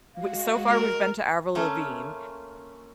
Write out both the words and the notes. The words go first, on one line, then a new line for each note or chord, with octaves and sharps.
w so far we've been to Avril Lavigne,
G#3 F#4 F5
A#4
A3 A#3 C#4 F4 A4